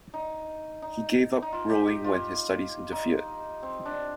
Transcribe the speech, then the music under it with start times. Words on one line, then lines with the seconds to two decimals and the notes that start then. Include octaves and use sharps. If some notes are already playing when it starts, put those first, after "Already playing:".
He gave up rowing when his studies interfered.
0.14 D#4
0.82 D#4
1.42 D#4
1.53 F4
1.70 G4
1.87 G4
2.04 F4
2.92 D#4
3.63 C4
3.85 D4